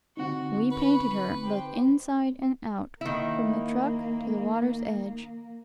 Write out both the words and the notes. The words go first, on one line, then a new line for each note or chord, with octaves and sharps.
We painted her, both inside and out, from the truck to the water's edge.
D3 C4 D#4 F#4
B4 B5 C#6
G4 C5
D#3 A#3 E4